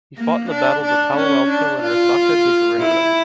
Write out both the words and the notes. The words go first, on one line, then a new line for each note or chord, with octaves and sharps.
He fought in the battles of Palo Alto and Resaca de Guerrero.
A#3
D4
D4
C#4
D4
F4
E4